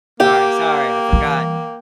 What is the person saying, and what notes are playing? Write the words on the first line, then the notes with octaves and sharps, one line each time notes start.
Sorry, sorry, I forgot.
A#3 G4 G5
E3 G3